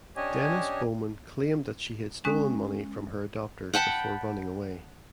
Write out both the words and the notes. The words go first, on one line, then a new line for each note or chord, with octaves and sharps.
Dennis Bowman claimed that she had stolen money from her adopters before running away.
C#4 D4 G4 C#5 D#5 G#5
G#3 C#4 D#6 F#6
F#5 G5 A5 B5